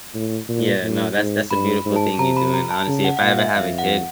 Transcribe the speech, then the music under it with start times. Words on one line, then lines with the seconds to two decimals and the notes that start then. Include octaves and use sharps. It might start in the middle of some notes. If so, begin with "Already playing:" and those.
Yeah, no, that's that's a beautiful thing you're doing, honestly, if I ever have a kid,
0.14 A2
0.48 A#2
0.82 A2
1.17 G#2
1.51 G2 B5
1.85 G#2
1.96 A5
2.19 C3 A#5
2.37 B5
2.54 A#5
2.71 A5
2.87 C#3
3.05 F#5
3.17 F#5
3.21 A#2 F5
3.39 E5
3.55 F2 F5
3.78 F#5